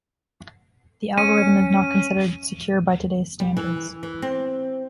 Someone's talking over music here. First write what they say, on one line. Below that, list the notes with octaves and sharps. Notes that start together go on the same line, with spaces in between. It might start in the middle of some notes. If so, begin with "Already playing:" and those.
The algorithm is not considered secure by today's standards.
C#4 D#7
G3
E3
E3
C4